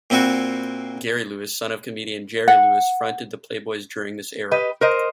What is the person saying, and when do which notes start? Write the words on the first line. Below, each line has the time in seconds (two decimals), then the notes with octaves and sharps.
Gary Lewis, son of comedian Jerry Lewis, fronted The Playboys during this era.
0.10 A#2 C4 E4 F#4 C#6
2.48 F#5
4.51 G4 B4 D#5
4.81 A#4 C5 D#5